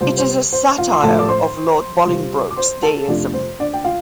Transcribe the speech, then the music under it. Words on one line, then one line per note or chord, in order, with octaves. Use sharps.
It is a satire of Lord Bolingbroke's deism.
C3 G3 F4 C5
C5
C5
F4 F5
C6
A2 F3 A3 F4 A4 A5
D6
C5 C6
C3 G3 F4
D6
C5 C6
A4 A5
F2 C3 A3 D4 F4 D5
C5
D4 D5
G5
F4 F5